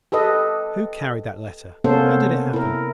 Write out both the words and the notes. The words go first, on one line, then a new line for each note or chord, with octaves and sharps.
"Who carried that letter? How did it happen?"
G4 A4 B4 D#5
C3 A#3 B3 C#4 A4 C5
E4 A#4